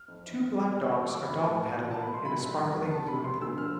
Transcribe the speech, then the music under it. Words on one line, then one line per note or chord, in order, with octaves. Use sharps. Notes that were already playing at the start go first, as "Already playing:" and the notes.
Two black dogs are dog paddling in a sparkling blue pool.
Already playing: F6
F2
E3
F1
B2 E6
B2 F6
E2 E6
E2 D6
A1 B5
A2 A5
E3
A1
B2 A5
B5
B2
C6
C2 B5
C2
F1
E2
D3 A5
F1 B5
D2 C6
D3 E6
F3 F6